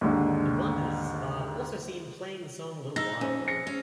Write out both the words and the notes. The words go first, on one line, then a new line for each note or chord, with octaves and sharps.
The Wonders are also seen playing the song Little Wild One.
D#2 G#2 D3
D#4 E6 A#6
F2 C#4
A#6 C#7
C#4